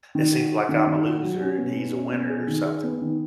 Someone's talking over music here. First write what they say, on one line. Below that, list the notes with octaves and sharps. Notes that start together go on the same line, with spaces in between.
It seems like I'm a loser and he's a winner," or something.
D#3
F#4
F#4
D#3
D#3
F#4
F#3
C#4
B2
B2
C#4
B2
G#4
D#3
G#4
B3
D#3